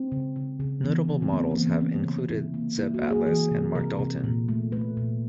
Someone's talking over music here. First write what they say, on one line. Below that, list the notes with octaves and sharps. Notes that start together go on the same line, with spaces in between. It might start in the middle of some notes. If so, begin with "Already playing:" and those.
Notable models have included Zeb Atlas and Mark Dalton.
Already playing: C4
C#3
C#3
C#3
E3 B3
C#3
C4
A3 B3
A#3
E3 B3
C4
C#3 C#4
C#3
C3 E4
A#3
A#3 E4
F#4
A#3
G#4
E3 G#4
C3
C3 A#4
C3
A#2
A3
A3 B4
A#2